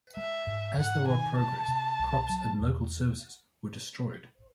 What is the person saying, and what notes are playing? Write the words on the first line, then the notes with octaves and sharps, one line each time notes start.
As the war progressed, crops and local services were destroyed.
G#3 E5
G#2
G#2 F#5
D#3 G#5
C3 A5
C3
C2
F#3
E2